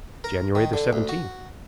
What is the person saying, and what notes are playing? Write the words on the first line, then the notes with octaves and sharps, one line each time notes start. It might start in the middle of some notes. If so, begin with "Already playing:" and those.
"January the seventeenth."
A#4
D#3
D3
D2
F#4